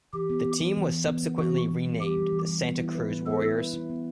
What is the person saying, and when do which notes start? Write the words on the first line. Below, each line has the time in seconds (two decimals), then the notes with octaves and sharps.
The team was subsequently renamed the Santa Cruz Warriors.
0.13 E3 G4
0.30 B3
0.45 B3
0.61 E3
0.77 E3
0.92 E3
1.07 B3
1.23 E3
1.38 E3 F#4
1.54 E3
1.70 E3
1.85 G3
2.01 G3 G4
2.17 G3
2.32 E3
2.48 G3
2.64 B3
2.80 E4
2.95 B4
3.11 B3
3.26 B3 A4
3.42 E4
3.58 B4
3.73 E4
3.90 B3